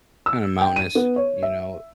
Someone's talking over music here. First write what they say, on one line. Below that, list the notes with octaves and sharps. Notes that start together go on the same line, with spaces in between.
kinda mountainous, you know.
E6
G5
D#7
B3
C#5
E5